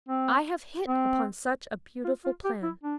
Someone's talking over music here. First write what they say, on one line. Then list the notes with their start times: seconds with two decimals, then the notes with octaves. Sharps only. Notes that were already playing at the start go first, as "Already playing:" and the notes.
'I have hit upon such a beautiful plan.
0.09 C4
0.87 C4
2.04 F4
2.25 F4
2.44 G4
2.63 E4
2.84 D4